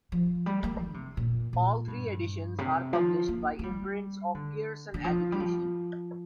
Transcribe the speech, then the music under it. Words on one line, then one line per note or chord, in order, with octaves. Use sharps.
All three editions are published by imprints of Pearson Education.
F3
G3
A#3
D3
C3
A#2
A#2
G2
C3
F3
A#3
A#3
G3
D3
D3
F3
G3
F3